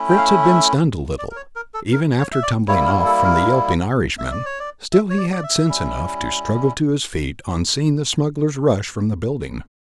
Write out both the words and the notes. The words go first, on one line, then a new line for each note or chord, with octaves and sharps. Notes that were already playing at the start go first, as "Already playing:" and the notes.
Fritz had been stunned a little, even after tumbling off from the yelping Irishman; still, he had sense enough to struggle to his feet on seeing the smugglers rush from the building.
Already playing: A3 C#4 E4
G5
F5
E5
D5
A#4
C#5
A#4
A4
A#4
C#5
E5
D5
G3 A#3 E4 C#5
A#4
A4
A#4
E5
D5
C#5
D5
E5
C#5
D5
D5
E5
G3 C#4 E4